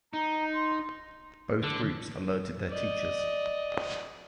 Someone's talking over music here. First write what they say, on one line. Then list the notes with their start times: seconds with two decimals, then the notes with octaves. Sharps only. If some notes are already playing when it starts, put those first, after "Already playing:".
Both groups alerted their teachers.
0.13 D#4 A#5
0.54 C6
1.63 D3
2.69 D5 D#5